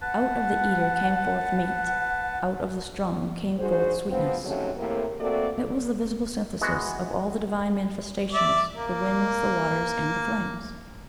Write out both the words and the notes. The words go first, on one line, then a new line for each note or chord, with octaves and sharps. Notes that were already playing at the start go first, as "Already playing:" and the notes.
"Out of the eater came forth meat, out of the strong came forth sweetness." It was the visible synthesis of all the divine manifestations, the winds, the waters, and the flames.
B4 F#5 A5
D2 G#2 F#4 G#4 C5
F3 B3 C4
G#2 C3 F3 F#3 A3 C#4
A2 C3 A#3
A3 A#3 C4 F#4 A4 D5
E3 G#3 B3 F#4
D5 E5
A#3